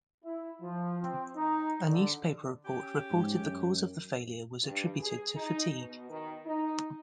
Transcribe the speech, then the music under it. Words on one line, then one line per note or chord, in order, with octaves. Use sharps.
A newspaper report reported the cause of the failure was attributed to fatigue.
E4
F3
C4
D#4
D3
C#4 G4
G#2
F#2
G2
G#4
D#4
B2
D#3
D#4